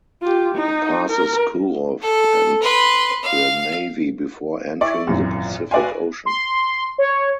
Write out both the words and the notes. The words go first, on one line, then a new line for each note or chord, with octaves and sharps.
It passes Kurow and Glenavy before entering the Pacific Ocean.
F4 G4
D#4
A#4
A4
B4 C6
F5
E4 D5 C#6
G#1 F#2 A#2 E3
F#4 B4 D5 E5 F5 G#5
C6
C#5